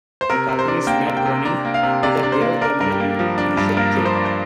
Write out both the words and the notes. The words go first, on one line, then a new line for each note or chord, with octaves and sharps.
The cartoonist Matt Groening later gave the middle initial J.
C5
C3 A#4
C3
C5
D4
A#3 G5
C3
G5
C3
D4 A#5
A#3
F5
C3
C3 D5
D4
C5
A#3
D4 A#4
G2 A#4
G4
A#3
F3
D4
G2
A#3 A#4
F3
C5
D4
C5